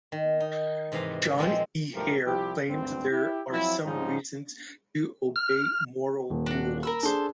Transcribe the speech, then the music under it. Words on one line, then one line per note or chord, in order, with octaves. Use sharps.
John E. Hare claims there are some reasons to obey moral rules.
D#3
D#4
G#2 C3 E3 F5 A#5
A#2 F3 G#3 A#3 C4
B1 G2 F3 A3 G4 A#4
C2 F3 E4 G4
G#1 D2 G2 C4
E4 G4
F3 F#3 C4 E4
G#2 C#3 F3 G3 D#4
F6
D#1
D4 F#4
A#4 B5 E6
D4 G#4 A4 C5